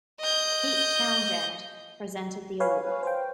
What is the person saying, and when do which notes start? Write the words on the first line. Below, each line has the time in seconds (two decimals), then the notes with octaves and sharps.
Pete Townshend presented the award.
0.20 D#5 G6
2.60 B4 C#5 F5 G#5
3.03 C5 G5